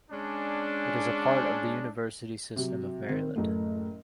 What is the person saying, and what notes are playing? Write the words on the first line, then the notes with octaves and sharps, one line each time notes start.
It is a part of the University System of Maryland.
G#3 C#4 D4
C3 F#3
D#3 C4
F#1 A2 A3